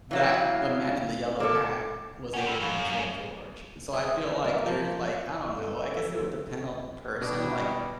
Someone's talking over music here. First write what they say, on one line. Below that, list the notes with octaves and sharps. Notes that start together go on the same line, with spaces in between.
that the man in the yellow hat was able to control George, so, I feel, like, there's, like I don't know, I guess it would depend on the person, like,
E3 F#3 E4 F5
A#3 A4 D6
C#4 G4 F#5
F3 G3 A4
F#2 F5
G#4
A#3
F3
A4
B2 G3 D4